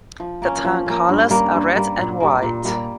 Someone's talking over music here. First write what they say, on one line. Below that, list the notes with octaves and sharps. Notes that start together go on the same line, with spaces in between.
The town colours are red and white.
F3
A#3 C#4
F3
A#3 C#4
G2
G3 A#3
G2
G3 A#3
A#2
G3 A#3
A#2
G3 A#3